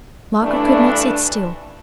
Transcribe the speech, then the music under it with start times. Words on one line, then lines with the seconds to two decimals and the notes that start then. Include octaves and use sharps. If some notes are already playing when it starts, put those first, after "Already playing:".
Margaret could not sit still.
0.42 G2 E3 A3 D4